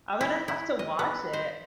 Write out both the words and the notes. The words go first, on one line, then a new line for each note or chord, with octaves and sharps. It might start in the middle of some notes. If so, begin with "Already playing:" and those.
I'm gonna have to watch it.
E4
E4
D#5
B3
C5